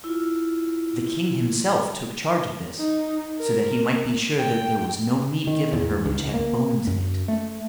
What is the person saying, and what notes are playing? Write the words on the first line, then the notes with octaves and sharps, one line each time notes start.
The king himself took charge of this, so that he might be sure that there was no meat given her which had bones in it.
E4 F4
D#4
A#4
G5
D#3
E2
C#2
A#3
F#2
A3